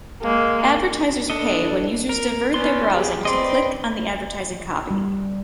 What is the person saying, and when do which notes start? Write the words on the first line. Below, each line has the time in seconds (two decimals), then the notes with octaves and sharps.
Advertisers pay when users divert their browsing to click on the advertising copy.
0.23 G#3 A#3
1.30 D4 A4 D#5
2.09 A#4
2.54 B3 C#4 D5 C6
2.93 G4 G#4
3.25 C4 B4 D5 D#5 C6
4.91 G3